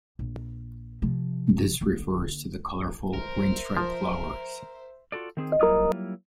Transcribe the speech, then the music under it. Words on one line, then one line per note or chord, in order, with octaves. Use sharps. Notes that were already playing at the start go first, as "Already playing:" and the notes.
This refers to the colorful, green striped flowers.
A#1
C3 F3
D3 A#3
A#4 C5 E5
F3
F4 F#4 A4 D5
D#3 C4 G#4
F#3 G3 A#3 E4 F4